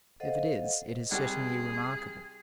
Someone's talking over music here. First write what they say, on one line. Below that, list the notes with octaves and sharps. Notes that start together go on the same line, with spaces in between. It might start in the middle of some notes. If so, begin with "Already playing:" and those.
If it is, it is certainly remarkable.
A4 C5 D#5 F5 F#5
C2 G3 G#4 F#5